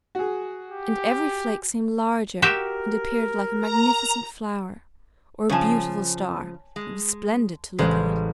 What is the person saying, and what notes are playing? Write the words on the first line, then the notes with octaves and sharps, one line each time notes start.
And every flake seemed larger, and appeared like a magnificent flower, or beautiful star; it was splendid to look at!
F#4 G#4
G4
F#4 G4 A#4 E5
A#5
C#3 F3 C#5 G#5 A5
G#3
A1 C#3 G3 G#3 C5 C7